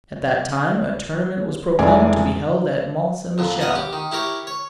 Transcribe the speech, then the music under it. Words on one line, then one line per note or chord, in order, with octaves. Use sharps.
At that time a tournament was proclaimed to be held at Mont St. Michel.
F1 E3 G#3 D5 G#5
F2 A#2 D3
B3 A#4 F#5 G#5
G4
D#3
E4 G4 A#4 C#5
C#5